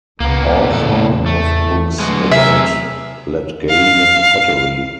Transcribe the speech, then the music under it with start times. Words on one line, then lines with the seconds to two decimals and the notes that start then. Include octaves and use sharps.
Author of books about Latgalian pottery.
0.20 C#2 A2 C#3 A#3 B3
0.69 E2 A#2 A4
1.26 A3
1.99 D3 F#3 G#3 A3 B3 F#4
2.31 C3 G#4 A#4 E5
3.69 F5